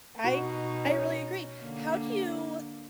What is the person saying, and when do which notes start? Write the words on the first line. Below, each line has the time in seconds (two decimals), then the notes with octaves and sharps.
I I really agree, how do you
0.24 B2 D#4 F#4
0.85 C#4
1.62 D3 A#3